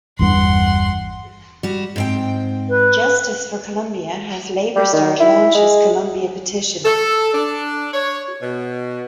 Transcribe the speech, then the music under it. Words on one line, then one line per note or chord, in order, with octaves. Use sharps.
Justice for Colombia has "LabourStart Launches Colombia Petition".
G1 E2 G2 F#5 C6
G3 F#4
G#2 C4 G5
B4
G3
D#3
E4
G#3
A4
D4
C#5
B2